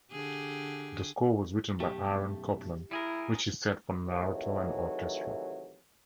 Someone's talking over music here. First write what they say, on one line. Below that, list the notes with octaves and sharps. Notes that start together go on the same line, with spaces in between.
The score was written by Aaron Copland, which he set for narrator and orchestra.
D3 G4 G#4
B1 F#2 A3 G4
G3 E4 G#4 A#4
C3 D#3 E3 F#3 A3